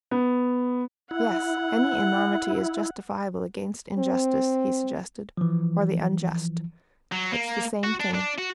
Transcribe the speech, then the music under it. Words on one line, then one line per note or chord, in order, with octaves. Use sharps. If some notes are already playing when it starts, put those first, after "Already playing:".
"Yes, any enormity is justifiable against injustice," he suggested, "or the unjust; it's the same thing."
B3
E4 F#5
C4
E3 F3
F#3
A#3
F#4
D4
D4
F#4